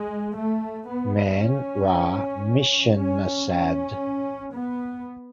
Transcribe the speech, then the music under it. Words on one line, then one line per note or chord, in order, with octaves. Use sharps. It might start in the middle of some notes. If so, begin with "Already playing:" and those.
Man ra mishenasad.
Already playing: G#3
A3
B3
C#4
C#4
C#4
B3